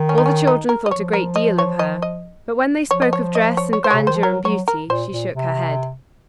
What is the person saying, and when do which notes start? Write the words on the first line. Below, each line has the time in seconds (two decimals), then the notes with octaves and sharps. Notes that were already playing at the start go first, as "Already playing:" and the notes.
All the children thought a great deal of her; but when they spoke of dress, and grandeur, and beauty, she shook her head.
Already playing: D#3
0.09 C#4
0.18 D#4
0.26 C#4
0.47 D#4
0.69 A#4
0.86 D#5
0.91 F3 C#5
1.13 A#4
1.36 D#5
1.58 C#5
1.79 D#5
2.02 D#5
2.90 F3 C#5
3.02 D#5
3.13 C#5
3.35 D#5
3.57 C#5
3.73 C#5
3.84 C5
3.90 C3 C#5
4.01 C#3
4.07 D#3 C5
4.16 F3
4.23 F#3 A#4
4.45 F#3 C#5
4.68 A#4
4.89 A#2 C5
5.11 A#2
5.33 C3